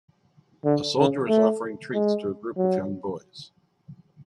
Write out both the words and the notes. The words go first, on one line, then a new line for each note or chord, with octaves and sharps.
A soldier is offering treats to a group of young boys.
D3
C#3
A3
G#3
F#3